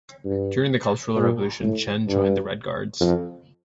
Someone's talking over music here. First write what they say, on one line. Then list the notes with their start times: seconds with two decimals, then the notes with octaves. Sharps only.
During the Cultural Revolution, Chen joined the Red Guards.
0.25 G2
1.16 A#2
1.62 A2
2.08 G2
3.00 F2